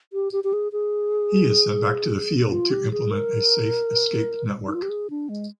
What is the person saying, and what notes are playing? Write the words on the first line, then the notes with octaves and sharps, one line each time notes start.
He is sent back to the field to implement a safe escape network.
G4
G4
G4
G#4
G#4
F4
G4
G#4
A#4
D#4
F4
G4
G#4
D4
G#3